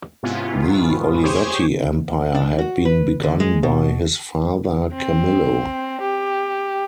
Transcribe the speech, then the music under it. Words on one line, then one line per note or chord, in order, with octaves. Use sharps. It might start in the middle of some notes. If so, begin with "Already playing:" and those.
The Olivetti empire had been begun by his father Camillo.
G#2 C3 B3 C#4 E4 F4
G4 G#4 C5 C#5 G#5 C#6
D4
F#4
B4
D3
G#3
B2
C4
G4